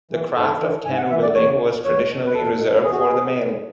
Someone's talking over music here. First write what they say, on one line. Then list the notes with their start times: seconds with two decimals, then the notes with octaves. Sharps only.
The craft of Canoe building was traditionally reserved for the male.
0.11 E3
0.36 G#2 A4
0.60 E3
0.85 G#2 G#5
0.97 F#5
1.10 E3 E5
1.22 D5
1.35 E2 C#5
1.60 B2
1.84 E2 C#5
2.09 B2
2.26 B4
2.34 E2 A4
2.59 B2
2.83 E2 G#4
2.92 F#4
2.99 G#4
3.08 B2
3.33 A2